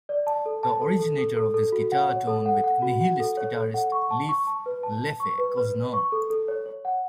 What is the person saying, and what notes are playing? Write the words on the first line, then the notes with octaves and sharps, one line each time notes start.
The originator of this guitar tone was Nihilist guitarist Leif "Leffe" Cuzner.
D5
A5
A4
A5
A4
A4
A4
A4
A4
F#4
F#5
C#5
A4
F#5
F#5
F#4
F#5
A4
C#5
A4
F#5
C#6
A5
C#6
A5
B4
A5
A5
C#6
B4
B4
B4
C#6
A4
A4
C#5
C#5
F#5